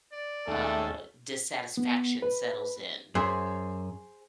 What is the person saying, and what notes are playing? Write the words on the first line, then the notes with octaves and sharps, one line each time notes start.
uh, dissatisfaction settles in,
D5
D#2 G#3 A3 C#4 A4
B3
B4
F#2 G#4 C5 G#5